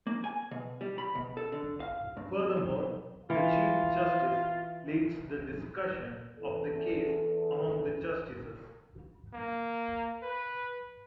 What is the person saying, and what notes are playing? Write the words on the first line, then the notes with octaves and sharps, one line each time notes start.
Furthermore, the Chief Justice leads the discussion of the case among the justices.
A#3
G#5
B2
G3
B5
B2
A4
D3
F5
G2
F2
B1
E3 F4
E2 A4
A#3
B4